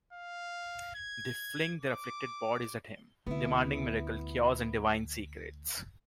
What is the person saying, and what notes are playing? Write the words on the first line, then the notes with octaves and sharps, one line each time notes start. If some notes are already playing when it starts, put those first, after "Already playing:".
They fling their afflicted bodies at him, demanding miracle cures and divine secrets.
F5
G#6
D6
D2 C3 B3 E4